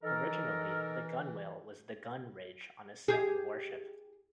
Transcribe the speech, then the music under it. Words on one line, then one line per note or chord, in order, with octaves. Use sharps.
Originally the gunwale was the "gun ridge" on a sailing warship.
E3 D#4 A4 A#4
G4 G#4